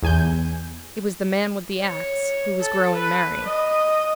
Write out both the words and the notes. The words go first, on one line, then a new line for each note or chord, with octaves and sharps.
It was the man with the axe, who was growing merry.
E2 G#5 G6
C#5
A4
B4
D#5